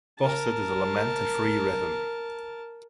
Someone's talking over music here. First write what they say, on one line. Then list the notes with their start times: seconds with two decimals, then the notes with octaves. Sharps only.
Bocet is a lament in free rhythm.
0.19 A#4 A5